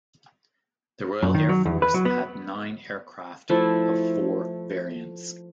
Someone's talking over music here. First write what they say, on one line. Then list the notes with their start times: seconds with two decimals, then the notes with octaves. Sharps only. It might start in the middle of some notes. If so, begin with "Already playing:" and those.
The Royal Air Force had nine aircraft of four variants.
1.23 F#2
1.34 D#3
1.49 F#3
1.65 E2
1.82 B4
1.94 F#3
2.05 B3
3.49 F3 A3 E4